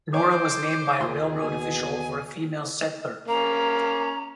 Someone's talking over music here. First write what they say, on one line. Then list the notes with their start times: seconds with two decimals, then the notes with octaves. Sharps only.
Nora was named by a railroad official for a female settler.
0.14 C5 C#5 D6
1.01 D#2 A#2 F4 G#4 C6
1.40 D#2 B2 G#5
3.28 A#3 C#4 A#5